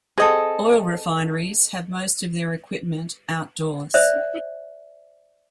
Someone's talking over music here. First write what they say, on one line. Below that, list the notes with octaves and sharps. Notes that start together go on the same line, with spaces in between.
Oil refineries have most of their equipment outdoors.
C4 G#4 A4 D#5
C5 D5 E5